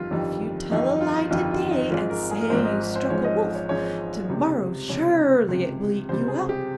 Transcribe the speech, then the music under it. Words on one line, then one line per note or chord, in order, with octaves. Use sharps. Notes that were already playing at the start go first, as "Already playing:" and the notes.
If you tell a lie to-day and say you struck a wolf, to-morrow surely it will eat you up.'
Already playing: G1 F2 D#3 G3 F4
G1 F2 D#3 G3
G1 F2 D#3 G3 D#4
D#4
F4
G1 F2 D#3 G3 F4
F4
D#4
G#1 G#2 F3 G#3 F4
A#4
G#4
A#4
G#1 G#2 F3 G#3 C5
D#5
C5
G#1 G#2 F3 G#3 C#5
D#5
C#5
G#1 G#2 F3 G#3 C#5
C#2 C3 G3
C#2 C3 G3 C#5
C#2 C3 G3
C#2 C3 G3 C5
G#4
G4